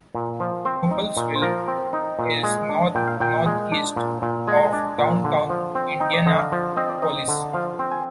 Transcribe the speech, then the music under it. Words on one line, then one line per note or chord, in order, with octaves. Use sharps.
Noblesville is north-northeast of downtown Indianapolis.
A#2
F3
C4 C5
D#4
A#2
C5
F3 A#4
C4
D#4
A#2
G#3
D4
A#2 G5
F5
A#2 G5
G#3
D4
A#2
A#2
G#3 G#5
A#5
G#5
D4
A#2
D3
F3
C4
D#4 G5
D5
D3 D#5
F5
F3
C4 D#5
D5
D#4 D#5
D3
F3 F5
C4
G#5